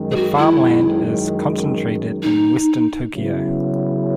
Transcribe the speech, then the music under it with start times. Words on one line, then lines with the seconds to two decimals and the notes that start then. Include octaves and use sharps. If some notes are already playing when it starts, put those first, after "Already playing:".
The farmland is concentrated in Western Tokyo.
Already playing: F#2 D#3 G#3
0.11 G#4
0.16 F#4
0.39 E4
2.23 D#4
3.14 C#3 F#3 B3 E4